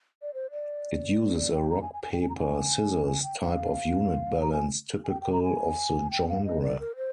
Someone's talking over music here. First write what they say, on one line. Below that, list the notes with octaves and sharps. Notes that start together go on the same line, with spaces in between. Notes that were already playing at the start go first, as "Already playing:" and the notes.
It uses a rock-paper-scissors type of unit balance typical of the genre.
D5
C5
D5
D5
G5
A#5
G#5
G#5
G#5
G5
G#5
A#5
G#5
G#5
G5
F5
A#5
G#5
G#5
G5
G5
A#5
G#5
G5
F5
D#5
D5
A#4
C5